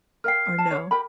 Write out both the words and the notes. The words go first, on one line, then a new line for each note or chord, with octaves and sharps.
or no?
A#4 F5 G5 F6 C7
A5
C#5
G4 A#4 B5